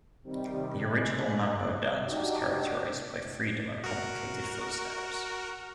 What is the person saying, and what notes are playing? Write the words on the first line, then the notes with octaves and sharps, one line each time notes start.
The original mambo dance was characterized by freedom and complicated foot-steps.
C3 D#3 G3
G#3 F#6
D4 D#4 F#4 G4
F#4 A#4